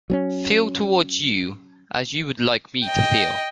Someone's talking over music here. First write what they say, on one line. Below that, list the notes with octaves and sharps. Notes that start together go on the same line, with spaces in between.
Feel towards you as you would like me to feel.
F#3 C4 C#4
D#5 G5